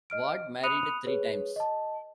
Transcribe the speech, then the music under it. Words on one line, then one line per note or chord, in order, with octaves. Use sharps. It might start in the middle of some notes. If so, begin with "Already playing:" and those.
Ward married three times.
D#5 F6 D7
B5 D#6 F#6 C#7 D#7 F7
G#4 B4 C#5
D#5 A5